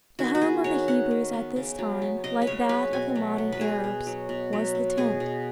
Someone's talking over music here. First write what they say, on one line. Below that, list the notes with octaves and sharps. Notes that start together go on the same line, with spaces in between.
The home of the Hebrews at this time, like that of the modern Arabs, was the tent.
D#3 F#4
F#4
B3 G#4
D#3 C#5
B3 F#5
D#3
B3
C#3
F#3
B3
C#3 D#5
B4
C#3 C#5
F#3 B4
B2 G#5
F#3
B3
B4
B2 G#4
B2
F#3
B2
F#3
B3
B2 G#4
B2